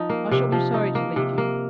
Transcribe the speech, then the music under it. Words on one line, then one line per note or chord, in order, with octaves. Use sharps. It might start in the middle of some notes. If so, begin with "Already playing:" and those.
I shall be sorry to leave you.
Already playing: F3 D#4
A#3
C3
F3
D#4
A#3
C3
A#3